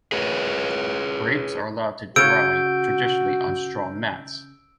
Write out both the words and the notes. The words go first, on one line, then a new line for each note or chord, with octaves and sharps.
Grapes are allowed to dry, traditionally on straw mats.
G#4 B4 C#5
C#3 F#4 C#5 E6 G6 D7